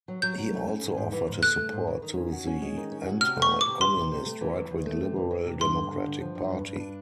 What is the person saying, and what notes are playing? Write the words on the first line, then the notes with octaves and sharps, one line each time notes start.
He also offered his support to the anti-communist right-wing Liberal Democratic Party.
F#3
F#3 G6
F#3
A3
C#4
G#2
G#2
E3
G#2
A3 F#6
A3
G#2
E3
D#3
C#4
F#4
C#4
G#3
D#3
C#4
F#4
C3 F6
A3
C#6
E3
D6
C3
E3 C6
C3
C3
A3
E3
E2
E2
A3
C3
E3
E3
C3
G2 C6
D3
D3
G2
F3
G2
G2
G2
D4